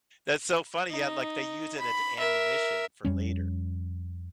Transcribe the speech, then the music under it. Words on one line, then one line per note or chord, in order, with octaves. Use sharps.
That's so funny. Yeah, like, they use it at ammunition for later.
D#4
B5
A#4 E5
F2 G3 C#4